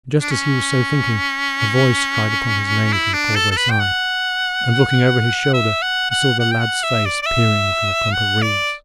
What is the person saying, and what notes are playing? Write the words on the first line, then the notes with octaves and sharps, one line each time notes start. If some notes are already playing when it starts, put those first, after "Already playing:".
And just as he was so thinking, a voice cried upon his name from the causeway side, and, looking over his shoulder, he saw the lad's face peering from a clump of reeds.
D4
C#4
E4
D4
A4
A4
B4
G5
F#5
E5
F#5
F#5
F#5
G5
F#5
E5
D5
D5
E5
F#5
D5